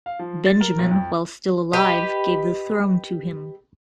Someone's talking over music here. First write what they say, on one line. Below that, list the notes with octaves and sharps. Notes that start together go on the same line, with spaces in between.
Benjamin, while still alive, gave the throne to him.
F5
F3
A6
A#4
B1
F2
G4 B4 D#5